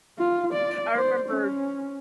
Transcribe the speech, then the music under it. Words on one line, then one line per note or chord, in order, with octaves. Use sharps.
I remember
F4
D5
C5
C#4